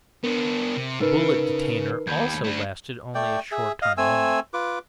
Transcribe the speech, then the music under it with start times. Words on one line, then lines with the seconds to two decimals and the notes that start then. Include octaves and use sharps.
The bullet detainer also lasted only a short time only.
0.24 B3 D4 A#4
0.77 C3
1.01 C#3 D#4 A#4 B4
2.07 D#2 B5 G6 G#6
2.44 A3 D4
3.15 A3 D5 G5
3.52 G#4 E5
3.82 D#5 F5
3.97 A3 C4 G#5 E6
4.53 F4 B4 D6